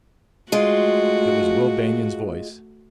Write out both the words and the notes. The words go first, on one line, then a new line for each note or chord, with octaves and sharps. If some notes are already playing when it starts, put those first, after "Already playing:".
It was Will Banion's voice.
G#3 A3 F4 F#4